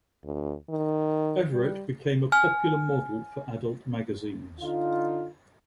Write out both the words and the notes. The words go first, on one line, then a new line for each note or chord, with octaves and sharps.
Everett became a popular model for adult magazines.
D2
D#3
G3
G#5 F6
D3 D#4 F4